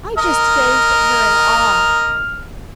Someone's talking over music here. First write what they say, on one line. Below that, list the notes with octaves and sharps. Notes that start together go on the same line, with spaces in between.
I just gazed at her in awe.
A#4 D#5 F6